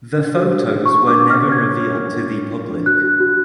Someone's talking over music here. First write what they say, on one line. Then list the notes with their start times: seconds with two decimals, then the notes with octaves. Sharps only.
The photos were never revealed to the public.
0.18 D4
0.35 F#4
0.52 F#4
0.68 D4
0.85 D4 C#6
1.02 D4
1.08 D6
1.19 D4
1.30 F6
1.36 D4
1.52 C#5 G#6
1.69 C#5
1.86 D4
2.02 D4
2.20 D4
2.37 D4
2.53 D4
2.69 D4
2.86 F#4 F#6
3.03 F#4
3.20 F#4